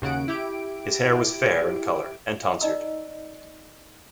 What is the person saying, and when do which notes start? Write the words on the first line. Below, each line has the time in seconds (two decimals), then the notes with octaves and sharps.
His hair was fair in color and tonsured.
0.02 D#2 C#3 F#4 F#5 D7
0.28 E4 G4 D7
2.61 D#4 D5 D#5 A#5 E6